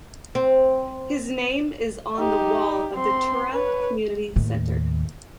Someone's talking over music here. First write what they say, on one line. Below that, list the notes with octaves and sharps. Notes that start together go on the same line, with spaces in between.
His name is on the wall of the Tura Community Centre.
C4
D#4 G4
C4 C6
B4 C#5
D#2 A2